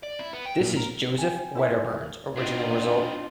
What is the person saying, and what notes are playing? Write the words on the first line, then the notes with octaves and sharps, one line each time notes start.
This is Joseph Wedderburn's original result.
D5
E4
B3
G5
A#2
A#4
G5 G#5
E4 C5 E5
B3 C4 D4 D#4 F4